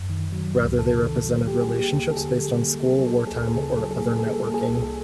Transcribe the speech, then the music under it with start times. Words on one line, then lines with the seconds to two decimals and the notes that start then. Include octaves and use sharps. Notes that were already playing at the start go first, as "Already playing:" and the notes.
Rather, they represented relationships based on school, wartime or other networking.
Already playing: F#2
0.09 D#3
0.32 F#3
0.56 C#2
0.78 C3 A4
1.02 D#3
1.24 F#3
1.47 G3 G4
1.61 G#4
1.70 A#3 G4
1.93 D#2
2.11 A4
2.16 D3 G#4
2.39 G3
2.62 A#3
2.85 F#3 G#4
2.92 A4
2.99 G#4
3.06 A#3 A4
3.14 G#4
3.21 A4
3.27 G#4
3.31 D2 A4
3.42 G#4
3.49 A4
3.54 C#3 G#4
3.63 A4
3.70 G#4
3.77 F#3 A4
3.84 G#4
3.91 A4
3.98 A#3 G#4
4.06 A4
4.12 G#4
4.19 A4
4.24 G3 G#4
4.33 A4
4.40 G#4
4.47 A#3 A4
4.54 G#4
4.61 A4
4.68 C2 G#4
4.75 A4
4.83 G#4